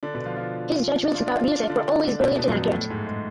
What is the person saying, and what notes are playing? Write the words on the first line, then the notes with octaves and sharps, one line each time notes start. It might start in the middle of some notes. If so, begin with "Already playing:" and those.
His judgments about music were always brilliant and accurate.
D3 D4
B2 B3
F3 F4
F3 F4
D4
F4
D4
F4
D4
F4
D3 D4
D3 D4
B2 B3
B2 B3
F#2 F#3
F2 F3
B2 B3
A2 A3
G#2 G#3
G#3